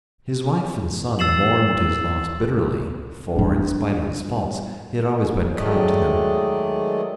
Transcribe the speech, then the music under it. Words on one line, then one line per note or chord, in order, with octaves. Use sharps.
His wife and son mourned his loss bitterly, for, in spite of his faults, he had always been kind to them.
E6 A6 C7 E7 F#7
G3 D4
D#3 F#3 G#3 A3 D5 D#5